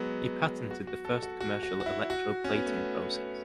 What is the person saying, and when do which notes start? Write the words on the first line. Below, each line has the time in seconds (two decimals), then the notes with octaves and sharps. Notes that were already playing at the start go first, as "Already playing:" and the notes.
He patented the first commercial electroplating process.
Already playing: F#3 G#3 B3
0.71 F#4
0.87 F#4
1.05 A4
1.22 F#4
1.40 F#4
1.63 F#4
1.80 F#4
1.86 E4
2.10 F#4
2.44 C#4
2.55 B3
2.66 A3
2.76 B3